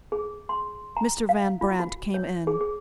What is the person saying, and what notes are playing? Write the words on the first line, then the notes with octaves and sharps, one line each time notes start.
Mr. Van Brandt came in.
G#4
C6
A#5
F5
F4
F#4
C#5
G#4
G#4